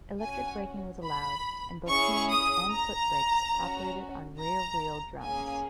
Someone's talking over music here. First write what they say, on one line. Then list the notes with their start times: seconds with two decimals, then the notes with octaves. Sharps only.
Electric braking was allowed, and both hand- and foot-brakes operated on rear wheel drums.
0.21 C#4 F#4 G#5
1.04 B5
1.87 C#4 E4 G#4 C#6
2.29 D#6
2.71 A#5
3.54 C#4 F#4
4.38 A#5
5.21 A#3 C#4 G#4 G#5